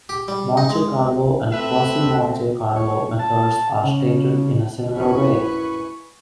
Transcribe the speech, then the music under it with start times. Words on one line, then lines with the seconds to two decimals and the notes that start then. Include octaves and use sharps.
Monte Carlo and quasi-Monte Carlo methods are stated in a similar way.
0.09 G4
0.28 G3
0.57 D#4
0.70 G#3
1.51 A3 C4 B4 E5
2.76 C#5
3.19 A5
3.83 C#3
4.97 A#1 F#2 E4 B4 G#5 B5 C#6